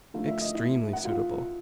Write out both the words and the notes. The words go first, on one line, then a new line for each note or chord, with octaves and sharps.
Extremely suitable.
D3 F3 A3 F5
E5
D#5
E4 E5
F#5
F4 F5